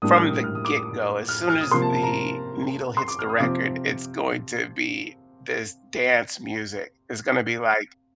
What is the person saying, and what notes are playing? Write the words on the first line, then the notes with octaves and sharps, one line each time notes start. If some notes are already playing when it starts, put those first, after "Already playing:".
from the get go, as soon as the needle hits the record, it's going to be this dance music. It's gonna be like,
A2 G3 A#3 D4 D#6
F6
D#6
F6
D#6
D6
D#6
F6
F6
D#6
C3 F3 A#3 C6
A5
A5
A#5
C6
D6
F6
D#6
C3 F3 C4 D6